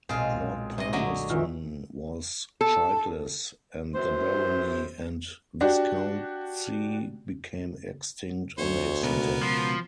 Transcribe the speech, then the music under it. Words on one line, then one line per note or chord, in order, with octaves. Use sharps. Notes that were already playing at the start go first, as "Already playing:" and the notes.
Lord Palmerston was childless and the barony and viscountcy became extinct on his death.
B1 A#2 G#3 C4 F4
C3 D#5
D3 F#3 D#5 C#6
D#3 E3 F4
A4
F#2 E3 C5
D4 F#4 G4 D5
D2 C5 C#5
C#2 B2 B3 A#4
F3